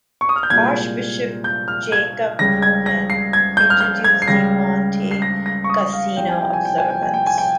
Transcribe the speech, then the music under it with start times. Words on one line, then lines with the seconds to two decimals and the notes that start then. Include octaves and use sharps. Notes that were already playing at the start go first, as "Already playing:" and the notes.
Archbishop Jacob Boonen introduced the Monte Cassino observance.
0.21 C#6
0.29 D#6
0.36 F6
0.43 G6
0.50 C2 A#2 G#3 G#6
1.44 G6
1.68 F6
1.92 G#6
2.39 C#2 C#3 G3 A#6
2.62 G#6
2.86 A#6
3.10 C7
3.33 G#6
3.57 G6
3.70 F6
3.80 G6
4.04 G#6
4.22 C7
4.28 C#2 C#3 G3 A#6
5.11 C7
5.22 A#6
5.46 A#6
5.64 C#6
5.70 D#6
5.93 F5
6.17 C2 C3 F3 G5
6.29 G#5
6.41 G5
6.53 G#5
6.65 G5
6.78 G#5
6.90 G5
7.03 G#5
7.14 G5
7.27 G#5
7.38 G5